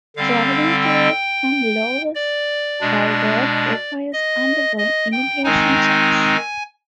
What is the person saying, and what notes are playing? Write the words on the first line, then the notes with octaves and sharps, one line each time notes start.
Travelling to or from Lawas by road requires undergoing immigration checks.
D3 G3 C4 F5
G5
D5
B2 G#3 D4
D#5
D#5
G5
D#3 G#3 C4 D#4 G#5